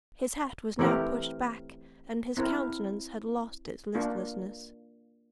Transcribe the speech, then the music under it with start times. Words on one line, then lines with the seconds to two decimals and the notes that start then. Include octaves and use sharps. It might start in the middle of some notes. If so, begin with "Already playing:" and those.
His hat was now pushed back, and his countenance had lost its listlessness.
0.79 E3 A3 C4 G4 A#4
2.37 C4 E4 A#4
3.95 A#3 D4 F4